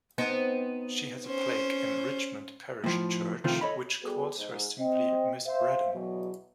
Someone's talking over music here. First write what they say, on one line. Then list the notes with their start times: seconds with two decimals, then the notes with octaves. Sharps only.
She has a plaque in Richmond parish church which calls her simply 'Miss Braddon'.
0.18 B3 C4 D#4
1.26 C#4 C5
2.84 A2 F3
3.44 C3 D#3 F3 A3 C4 F4
3.61 A4 C#5 D#5 B5
4.03 G3 B3 F#4 G#4 A4 B4
4.38 G#2
4.79 C4 D#5
5.45 C5 E5 F5
5.93 E2 B2 F#3